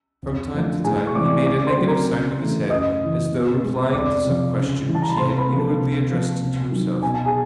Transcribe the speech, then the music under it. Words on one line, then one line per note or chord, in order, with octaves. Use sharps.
From time to time, he made a negative sign with his head, as though replying to some question which he had inwardly addressed to himself.
F2
D3 F3 A3
A2 G#4 G#5
C#6
E3 G#3 C4 D5 D6
C#3 D5 D6
C5 C6
F#3 A3 C4
A#4 A#5
C#3
E3 A3
F#2 D#5 D#6
C#3 E3
B2
G#3 C4
F2 D5 D6
C3 F3
C#3
E3 G3
A5
A#5
B5
C3 C5 C6
B4 B5
F3 A#3
A4 A5
C3
F3 A#3
C3
D#3 F#3
B2 G#5
A5
G#4 G#5